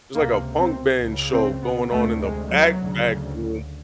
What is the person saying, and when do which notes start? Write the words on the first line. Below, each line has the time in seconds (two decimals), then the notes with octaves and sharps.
there's, like, a punk band show going on in the back, back room,
0.14 C#2 C3 A#3
0.58 C4
1.03 C#2 C#3
1.32 C4
1.62 B3
1.91 D2 C3 A3
2.21 G#3
2.50 F#3
2.80 D2 C#3